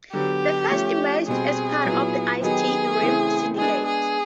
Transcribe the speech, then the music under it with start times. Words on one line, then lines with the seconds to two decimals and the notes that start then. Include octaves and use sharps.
He first emerged as part of Ice-T's Rhyme Syndicate.
0.13 D3 F#3 B3 G4
0.70 F3 A3 C#4
1.28 B2 G3 C4 G#4
1.85 A#2 F#3 B3 E4
2.42 D#3 F#3 B3 D#4 G4 G#4
3.00 C#3 E3 A3 C4 E4
3.57 G#3 B3 D4 G#4
3.86 G#4